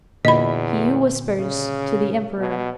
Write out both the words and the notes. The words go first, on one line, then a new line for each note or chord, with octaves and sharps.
He who whispers to the emperor.
E2 A#2 D3 F#4 D#5 B5
C#3
B2